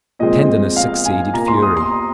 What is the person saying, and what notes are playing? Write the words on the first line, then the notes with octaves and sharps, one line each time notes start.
Tenderness succeeded fury.
A#2 F3 G#3 C4 D#5
F5
G#5
A#2 A#3 A#5
C6
D#6
C6
A#5